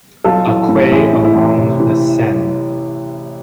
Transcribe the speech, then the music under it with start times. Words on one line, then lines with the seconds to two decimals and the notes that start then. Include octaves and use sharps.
A quay along the Seine.
0.24 B1 F4 A4
0.47 E3
0.69 A2
0.91 A1 E4 G#4
1.13 A2
1.25 E4
1.35 A1
1.58 C3
1.80 E3